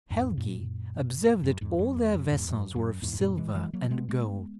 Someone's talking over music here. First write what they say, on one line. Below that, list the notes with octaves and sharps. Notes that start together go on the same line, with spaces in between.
Helgi observed that all their vessels were of silver and gold.
E2 G#2
F#2 A#2
F#2
E2 G#2
F#2
E2
F#2
E2 G#2
F#2
F#2
E2 G#2
G#2
F#2 A#2
E3 G#3
E3 G#3
F#3 A#3
G#3 B3
G#3 B3